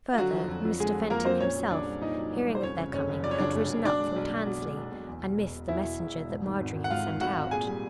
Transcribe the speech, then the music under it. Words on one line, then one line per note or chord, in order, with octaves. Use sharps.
Further, Mr. Fenton himself, hearing of their coming, had ridden up from Tansley, and missed the messenger that Marjorie had sent out.
F4
D3 F#3 F#4
F3
F2
F2
D3 G#3 G#4
F3
F2 A#3 A#4
F2 C4 C5
A#2 C#4 C#5
F#3
C2 D4 D5
C2
A#2 D#4 D#5
F#3
C2
C2
C5
F2 C#4 C#5
C#3
F#1 C#4 C#5
F#1
F2 D5
C#5
C#3 D4 D5
F#1
F#1
B2 D4 D5
G#3
B1
B1
B2
G#3
B1
B1
E2
B2
E1
E1
E2 E4 E5
B2
E1
E1
G#2
D#3
G#1
G#1
F#5
G#2 F4 F5
D#3
G#1 F#4 F#5
G#1
A#2 G#4 G#5
G3